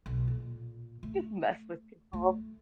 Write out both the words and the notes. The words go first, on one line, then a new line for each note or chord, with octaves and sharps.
Just mess with people.
B1
A#2
A3
A3